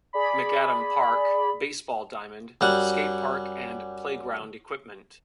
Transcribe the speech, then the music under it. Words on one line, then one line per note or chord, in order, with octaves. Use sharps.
McAdam Park - Baseball diamond, Skatepark and playground equipment.
G#4 D5 B5
F#2 G3 F#5